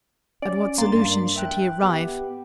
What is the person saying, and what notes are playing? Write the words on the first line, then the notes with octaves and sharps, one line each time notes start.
At what solution should he arrive?
C#4 D5
G2 A#3 C6 A6
E5 G5 F#6
B3 G4